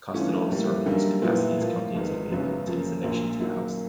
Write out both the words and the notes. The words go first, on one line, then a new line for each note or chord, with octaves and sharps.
Costello served in this capacity as county executive until his election to the House.
G2 E3 A3 C#4 F4
A2 E3 G3 A#3
F#2 D3 G3 A#3 D#4
A#2 F#3 B3 E4
A2 F3 A#3
G#1 G#2 D#3 G#3 B3
F#1 F#2 C#3 F#3 B3
F#2 C#3 F3 A#3
A#1 A#2 F#3 A#3
F#2 D#3 F#3 A#3